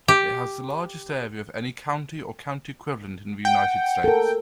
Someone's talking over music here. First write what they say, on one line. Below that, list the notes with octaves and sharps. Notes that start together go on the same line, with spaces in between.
It has the largest area of any county or county-equivalent in the United States.
G4
F#5 G5
A4 A#4